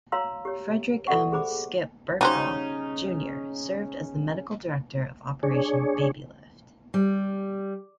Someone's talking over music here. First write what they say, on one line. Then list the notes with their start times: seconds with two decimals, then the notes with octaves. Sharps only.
Frederick M. "Skip" Burkle, Junior served as the medical director of Operation Babylift.
0.12 F#4 C#5 F5 A#5 C6 E6
0.45 G4 C#5
1.07 F#4 A4 D5 E5 F#5 C#6
1.32 G4 G#4 C5 B5 D6
2.21 C#3 G3 C#4 D#4 F#4 C5
5.43 D4 G#4 C#5
6.94 G3